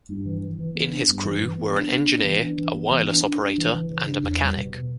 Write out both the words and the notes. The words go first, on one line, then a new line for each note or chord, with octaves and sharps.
In his crew were an engineer, a wireless operator and a mechanic.
G2
E3
E3
E3
B3
D4
G2
E3
E3
B3
D4
D4
B3
E3
D4
E3
B3
E3
D4
D4
D4
E3
E3
C#3
D4
E2
G3
B2